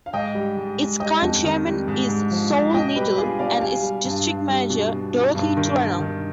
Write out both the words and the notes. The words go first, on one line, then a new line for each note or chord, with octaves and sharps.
Its current chairman is Saul Needle, and its district manager Dorothy Turano.
F5
G#2 D#5 G5
G3
G#2
G#2
G3 D#5 G5
F2
D#3
G3
G#2
G#2
F3
G#2
B2 D#5 G5
G3 G4 B4
G3 F4 G#4
B2 D5 F5
G3 F5 G#5
G3
G2
G2
G3
B2
B2
B2
G2
D#3
G2
D#3